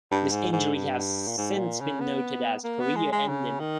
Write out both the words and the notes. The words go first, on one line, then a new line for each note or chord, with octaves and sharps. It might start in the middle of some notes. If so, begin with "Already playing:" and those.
This injury has since been noted as career ending.
G2
G#2
G#2
G2
A#2
G#2
A#2
C#3
B3
A#3
B3
G#3
G#3
C#3
D#3